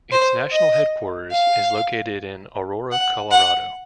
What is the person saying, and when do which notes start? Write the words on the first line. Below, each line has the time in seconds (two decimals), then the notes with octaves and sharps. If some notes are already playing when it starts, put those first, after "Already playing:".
Its national headquarters is located in Aurora, Colorado.
0.12 C5
0.51 D#5
1.31 F5
2.91 F#5
3.31 F#5